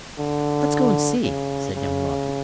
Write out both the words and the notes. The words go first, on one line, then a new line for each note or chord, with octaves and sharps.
"Let's go and see," said young Robin.
D3
C#3
C#3